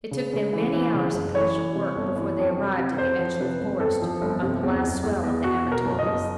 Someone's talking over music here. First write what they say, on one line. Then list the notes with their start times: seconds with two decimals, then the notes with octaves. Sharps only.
It took them many hours of patient work before they arrived at the edge of the forest on the last swell of the Amatolas.
0.11 C#3
0.33 C#3
0.53 E3
0.73 E3
0.94 C#3
1.14 F#1
1.34 E3 C#5
1.55 E3
1.75 C3
1.96 G1
2.16 E3
2.37 F2
2.57 C3
2.78 C3
2.98 F2 C5
3.19 F3
3.40 C3 B4
3.60 G1
3.80 F2 A4
4.02 F3
4.21 G1
4.42 C3
4.63 E2
4.84 F#1
5.03 E2
5.23 E2
5.44 E2 F#4
5.65 B2
5.72 A#4
5.85 F#1
5.99 D#5
6.06 F#1